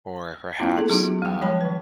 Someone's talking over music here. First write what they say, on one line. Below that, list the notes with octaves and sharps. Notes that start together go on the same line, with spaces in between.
or perhaps, um
A3 B3 C#4 D4 E4 F4
A#3 B3 D4 G#4 A4
F#3 B3 D4 D#4 F4 F#4
G3 G5
F3 G#3 C#5 G5 A5 B5
D#3 B4